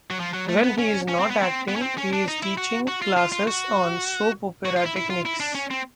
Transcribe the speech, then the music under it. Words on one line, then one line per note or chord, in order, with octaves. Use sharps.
When he is not acting, he is teaching classes on soap opera techniques.
F#3
F3
F#3
A3
B3
C#4
C#4
C4
B3
C4
B3
C#4
C4
C#4
D4
D#4
E4
F#4
F#4
F4
F4
F4
F#4
F#4
F4
E4
E4
F4
E4
D4
C#4
C4